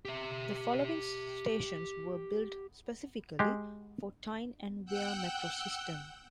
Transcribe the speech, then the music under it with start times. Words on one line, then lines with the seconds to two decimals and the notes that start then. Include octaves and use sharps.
The following stations were built specifically for the Tyne and Wear Metro system.
0.05 G4 E5
3.39 G#3 G4
4.85 F#5 G5 E6 F#6 G6